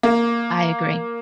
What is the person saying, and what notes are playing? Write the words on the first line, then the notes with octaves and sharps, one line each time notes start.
I agree.
A#3